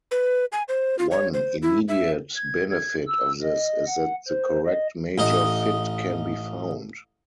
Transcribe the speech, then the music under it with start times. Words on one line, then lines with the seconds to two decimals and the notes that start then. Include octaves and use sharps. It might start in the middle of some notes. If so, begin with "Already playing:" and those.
One immediate benefit of this is that the correct major fit can be found.
0.11 B4
0.52 G#5
0.68 C5
0.99 F4
1.11 C#5
1.34 C5
1.62 E4
1.88 E5
2.36 G#6
2.70 G#6
3.07 E6
3.43 D#5
3.87 F#5
4.27 C5
4.66 D#5
5.18 A1 D#4 D#5